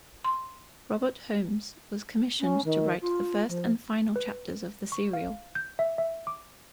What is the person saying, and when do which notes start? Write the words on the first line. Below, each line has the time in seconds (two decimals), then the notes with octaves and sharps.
Robert Holmes was commissioned to write the first and final chapters of the serial.
0.24 C6
2.40 C#4
2.64 D#3
3.01 F4
3.48 F3
4.16 B4
4.92 C#6
5.13 F5
5.55 G6
5.79 E5
5.98 E5
6.27 D6